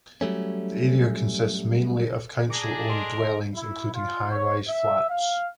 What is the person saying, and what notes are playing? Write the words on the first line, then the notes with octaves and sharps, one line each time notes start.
The area consists mainly of council owned dwellings including high rise flats.
F#3 G3 A3 C#4
D4 G#4 A#5 D6 A#6 C#7
A4 A#4 D#5 C6
E4
F4
C#5
E5
F5